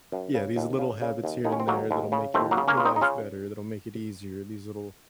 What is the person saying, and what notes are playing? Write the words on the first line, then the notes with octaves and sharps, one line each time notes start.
yeah, these little habits here and there that'll make your your life better, that'll make it easier, these little
F#2
C#3
D#2
C#3
C#3
D#2
D#2 D#4
C#4
C4
D#2 F#3 A#3
D#2
C#3
D#2 A3 C4
F#3 A#3
C#3
A#3 C#4
C#3 F4
C4 D#4
D#4
C#3 C#4 F4